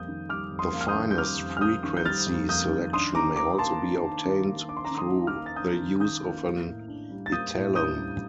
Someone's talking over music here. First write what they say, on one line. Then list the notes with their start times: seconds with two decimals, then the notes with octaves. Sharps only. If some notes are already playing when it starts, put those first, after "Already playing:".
The finest frequency selection may also be obtained through the use of an etalon.
Already playing: F2 G3 A#3 D#6 G6
0.08 D#3
0.29 G3 D6 F6
0.52 F2
0.59 C6 D#6
0.73 A#3
0.81 F6
0.88 D#6 G6
0.95 D#3
1.11 G6
1.18 G3 D6 F6
1.40 F2
1.57 F6
1.61 A#3 D#6 G6
1.84 D#3
1.97 G6
2.05 G3 F6 A6
2.27 F2
2.49 A#3 D#6 G6
2.71 D#3
2.93 D4 C6 D#6
3.15 D#3 A#5 D6
3.36 D#3 A#5 D6
3.58 A#3 A5 C6
3.82 D4
4.03 D#3
4.25 D#3
4.47 A#3
4.68 D4 D6
4.77 C6
4.85 A#5 D6
4.91 D#3
4.98 C6 D#6
5.13 D#3
5.27 D6 F6
5.35 A#3
5.46 A6
5.56 D4 D#6 G6
5.79 D#3
6.00 D#3 D#6 G6
6.23 A#3
6.44 A#3
6.67 A2
6.88 D4
7.10 G3
7.26 A6
7.32 A#3 D#6 G6
7.54 A2
7.76 D4 D#6 G6
7.98 G3